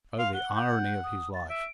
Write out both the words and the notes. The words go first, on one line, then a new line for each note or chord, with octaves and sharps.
Oh, the irony of his life!
F5 C6
F#5 G7
G6
D#6
A6
E5 D7